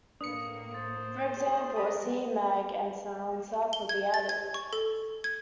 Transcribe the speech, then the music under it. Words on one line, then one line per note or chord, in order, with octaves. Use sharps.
For example, a C-mag and silencer could be added.
A2 A#3 D4 B4 D#6 C#7
C5 A6
G4 G#4
F#3 G#3 A#4 D5 B5 D#6
G7
G#6
A6
G#6
C#6
A4
G#6